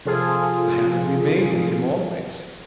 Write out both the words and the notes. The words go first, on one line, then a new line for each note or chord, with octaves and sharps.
The habit remained with him always.
C3 F3 F4 G#4 A4